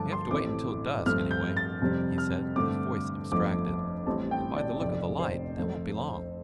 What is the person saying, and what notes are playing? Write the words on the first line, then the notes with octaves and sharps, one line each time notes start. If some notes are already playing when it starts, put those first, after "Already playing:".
"We have to wait until dusk anyway," he said, his voice abstracted, "and by the look of the light that won't be long."
Already playing: G2 D3 F3 A3 A5 D6
C6
A1 A2 A3 C4 D6
G2 F3 A3 C4 F6
G6
A6
F2 C3 G3 C4
F6
G2 D3 A3 C4 D6
G1 F2 F3 A3 D6
A1 A2 G3 C4 A5
G5
D5
F1 F2 C3 D5
C5
F2 F3 A3 C4